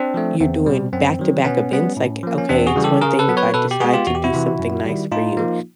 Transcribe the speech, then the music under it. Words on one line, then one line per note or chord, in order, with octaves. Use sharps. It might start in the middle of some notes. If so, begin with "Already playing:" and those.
you're doing back-to-back events, like, okay, it's one thing if I decide to do something nice for you,
Already playing: C4 D4
F3 A3
E2 C4
B2 G3
F#2 C4
D#3 F#3
B2 B3 C#4
G3 B3
A2
F3 A#3
C#4
E2 C4 D4
F#4 G#4
C#3 E3 G3
G4 A4
C#3 G#4 A#4
A4 B4
F#3 B3
B4 C#5
B2 A4 B4
G4
G#3 B3 F#4 G#4
F4 G4
E2 F#4
G4
E4 F#4
C3 E3
F#2
D#3 G3
A2 D#4 F4
F3 A#3